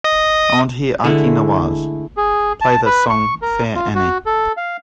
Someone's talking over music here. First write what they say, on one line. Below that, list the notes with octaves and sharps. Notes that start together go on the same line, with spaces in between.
I want to hear Aki Nawaz, play the song fair annie.
D#5 D#6
D3 G#3 A3 E4
G#4
A5
B4
C#6
A#4
F4
F#4
A4
F5